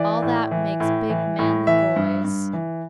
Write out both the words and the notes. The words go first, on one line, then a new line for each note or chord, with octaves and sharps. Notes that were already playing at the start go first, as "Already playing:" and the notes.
All that makes big, manly boys.
Already playing: E3 D5
A2
E3
A2
E3
A2
E3 E5
G2
G2
E3